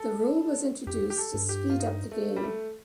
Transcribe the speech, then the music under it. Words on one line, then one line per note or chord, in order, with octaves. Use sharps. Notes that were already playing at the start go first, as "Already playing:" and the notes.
The rule was introduced to speed up the game.
Already playing: A4
F2 G4
G4
A4
G2
G4
F4
D#4
A3
G3
A3